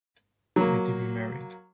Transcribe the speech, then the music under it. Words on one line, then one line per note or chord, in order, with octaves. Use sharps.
Betty remarried.
F#3 A#3